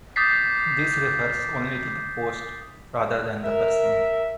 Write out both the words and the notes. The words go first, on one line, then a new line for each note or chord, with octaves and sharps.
This refers only to the post, rather than the person.
D6 D#6 G6 A6 B6 C7
A#4 E5